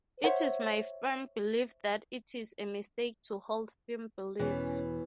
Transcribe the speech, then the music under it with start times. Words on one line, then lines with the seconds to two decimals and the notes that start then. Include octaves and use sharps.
It is my firm belief that it is a mistake to hold firm beliefs.
0.24 C5 C#5 E5 F#5
4.39 E1 B2 E3 C#4